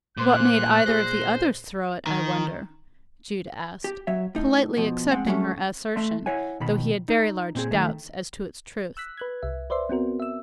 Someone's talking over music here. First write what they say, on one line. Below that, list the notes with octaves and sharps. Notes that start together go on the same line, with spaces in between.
"What made either of the others throw it, I wonder?" Jude asked, politely accepting her assertion, though he had very large doubts as to its truth.
A#2 C5 C6 D6 F#6
A#2 G#4 C5 A#6
D#3
G4
F#3 C#5 E5
A2 D#4
B2 F3
G#3 C4 F#5
F#3 G#3 A3 C4 C#4
A3 E5 C6
E4 C#5 F#5 G#5
B2 D#3 B5
D#4
A#2 C4 G#4
D#3 A3
E6 F#6 B6
B4 F#6 G#6
C2 E5
B4 C5 D5 E5 C6
B3 C4 F#4 A#4
E5 E6